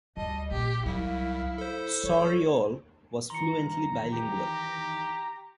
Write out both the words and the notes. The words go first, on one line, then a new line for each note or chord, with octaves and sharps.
Sauriol was fluently bilingual.
D2 G3 D#5 A5
A#1 G4 G5
C2 F#3 D#4 E4 F5
A4 C5
F3 C#5
D#3 E3 A#5 C6 C#7
G4